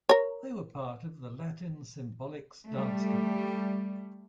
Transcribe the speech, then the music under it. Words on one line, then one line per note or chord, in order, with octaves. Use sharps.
They were part of the Latin Symbolics Dance Company.
A#4 C#5
G3 A3